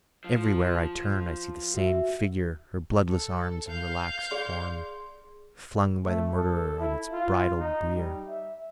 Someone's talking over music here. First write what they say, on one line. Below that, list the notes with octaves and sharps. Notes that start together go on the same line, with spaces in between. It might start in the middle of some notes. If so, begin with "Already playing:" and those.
Everywhere I turn I see the same figure--her bloodless arms and relaxed form flung by the murderer on its bridal bier.
F3
F#4 E5
A4
F5 G6
G#4 D5 C6
A3
A4
E4
F4
D#4
G3
E5